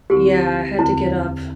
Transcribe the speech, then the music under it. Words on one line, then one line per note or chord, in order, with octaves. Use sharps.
Yeah, I had to get up
D2 D3 C4 E4 G4
E2 D3 C4 E4